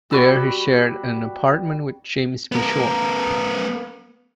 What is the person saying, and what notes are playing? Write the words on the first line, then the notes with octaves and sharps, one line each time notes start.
There he shared an apartment with James Pinchot.
G3 F#4 B4 E6
B3 A#4